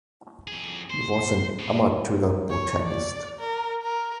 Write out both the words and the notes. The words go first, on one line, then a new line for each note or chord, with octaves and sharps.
He was an amateur botanist.
F2 G#4
C5
A2 B3
C#5
D5
A#4
A#4